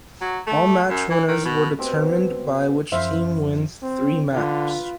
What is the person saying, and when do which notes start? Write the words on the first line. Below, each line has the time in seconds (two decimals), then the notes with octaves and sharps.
All match winners were determined by which team wins three maps.
0.21 F#3
0.47 A3
0.89 F#2
1.10 E3
1.28 D#3
1.45 B2
1.79 B2 C4 G4
2.92 F#2 F3 C#4 C5 E5 F5
3.82 C4
4.32 D3 F4 B4